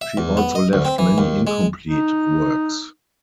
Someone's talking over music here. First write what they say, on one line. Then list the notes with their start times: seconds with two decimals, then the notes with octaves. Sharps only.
She also left many incomplete works.
0.01 E5
0.17 E2
0.37 B3
0.55 D#5
0.73 D2
0.85 C4
0.98 E3
1.18 D#2
1.47 G#3
1.89 D#4